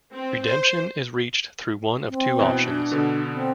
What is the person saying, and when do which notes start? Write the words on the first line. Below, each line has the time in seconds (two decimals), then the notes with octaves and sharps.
Redemption is reached through one of two options.
0.13 C4
0.43 C5
2.10 C4
2.39 B2 E3
2.62 D4
2.91 B2 D3 B3
3.33 C4